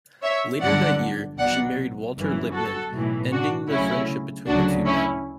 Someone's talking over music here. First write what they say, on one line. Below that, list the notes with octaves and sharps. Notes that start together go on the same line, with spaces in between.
Later that year, she married Walter Lippmann, ending the friendship between the two men.
C#5 E5
G1 G2 D3 F#3 D5 F#5
B1 B2 F#3 D5 F#5
G1 F#2 E3
F#4 A4
B1 A2 E3
D4 F#4
D2 C#3 F#3 C#4 E4
D2 C#3 F#3 D4 F#4
C#4 E4